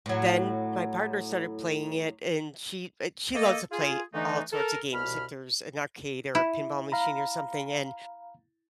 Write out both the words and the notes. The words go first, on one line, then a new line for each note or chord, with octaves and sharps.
then my partner started playing it, and she uh, she loves to play all sorts of games if there's an arcade, or a pinball machine, or something, and
A2 F#3
A#3 A4 D#5
F4 G#4
D3 E3 A3 B3 D#4
A4 A#4
C2 B2 B5 F6
E4
F5 A#5 B5